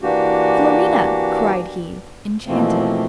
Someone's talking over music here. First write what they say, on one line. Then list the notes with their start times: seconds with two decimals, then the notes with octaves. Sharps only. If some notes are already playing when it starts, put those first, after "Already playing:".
"Florina!" cried he, enchanted.
0.01 E3 A#3 D4 F#4 G4
2.47 B2 E3 F3 A3 A#3 C4